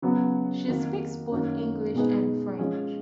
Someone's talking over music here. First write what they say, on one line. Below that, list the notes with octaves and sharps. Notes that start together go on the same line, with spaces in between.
She speaks both English and French.
C#3 F#3 B3 F#4
F2 D#3 A#3 D#4 F#4
F#2 D#3 A#3 D#4 F#4
B2 G#3 D#4 G#4 B4
F3 G#3 C#4